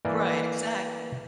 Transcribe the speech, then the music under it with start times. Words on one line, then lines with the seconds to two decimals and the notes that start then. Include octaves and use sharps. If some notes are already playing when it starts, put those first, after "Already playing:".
Right, exactly.
0.05 E3 A#3 D5